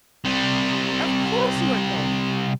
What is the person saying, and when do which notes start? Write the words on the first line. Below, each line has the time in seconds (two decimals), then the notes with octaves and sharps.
"Of course you are going."
0.25 C3 G3